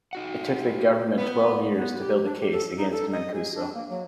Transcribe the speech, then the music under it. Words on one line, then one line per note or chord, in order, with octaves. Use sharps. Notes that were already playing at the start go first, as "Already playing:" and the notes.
It took the government twelve years to build a case against Mancuso.
D#4 F#4 F#5
B3
B3
G4
D4
G4
A4
D#4
A4
D#5
G#4
D4
A#3
F#3